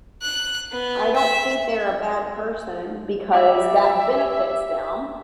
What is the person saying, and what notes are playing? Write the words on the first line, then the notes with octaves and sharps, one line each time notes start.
I don't think they're a bad person because that benefits them.
F#6
B3
E5
G4 D5 E5